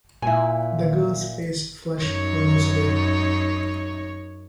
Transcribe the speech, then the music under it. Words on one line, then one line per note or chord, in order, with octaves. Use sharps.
The girl's face flushed rosily.
A#2 E4 G#5
F#2 D#4 C#5